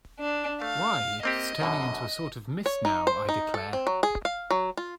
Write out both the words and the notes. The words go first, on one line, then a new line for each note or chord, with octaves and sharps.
Why, it’s turning into a sort of mist now, I declare!
D4
A3 F5
A#3 C4 G4 D#5
F#2 B2 D3
C#5
D#4
C5
D#4
A4
C4
F#3
G#4
F5
F#3
F4